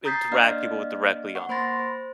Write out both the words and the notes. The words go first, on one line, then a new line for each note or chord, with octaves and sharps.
interact people with directly on
A#5 D#6 G6 A6 B6 C7
A#3 D4 D5 D#5 F5 F6
F#5 C#6
A#3 C5 B5 C6 A6 A#6
C5